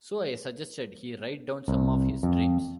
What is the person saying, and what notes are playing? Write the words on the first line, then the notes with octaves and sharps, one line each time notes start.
So I suggested he write down some of his dreams.
C2
F2